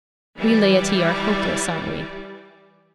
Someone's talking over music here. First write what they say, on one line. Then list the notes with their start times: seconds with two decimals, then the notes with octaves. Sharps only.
'We laity are hopeless, aren't we?
0.37 E3 G3 D5